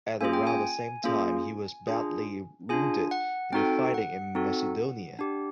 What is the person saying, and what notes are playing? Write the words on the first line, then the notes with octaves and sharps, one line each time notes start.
At around the same time he was badly wounded in the fighting in Macedonia.
A#3 C#4 F4 G#4 G#5
G5
G#5
A#3 C#4 F4 G#4
D4 F4 G#4
D4 F4 G#4 G#5
F#5
C4 D#4 F#4 A4 G5
F#5
C4 D#4 F#4 A4
D4 G4